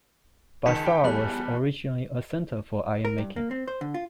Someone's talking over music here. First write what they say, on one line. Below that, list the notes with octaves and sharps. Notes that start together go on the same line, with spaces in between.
Bassar was originally a centre for iron making.
C#2 D#3 A5 B6 C#7
G5
E2 G3 G#3 B5 F#6 F#7
A#4
G2
A#3
C4
C5
D3
F4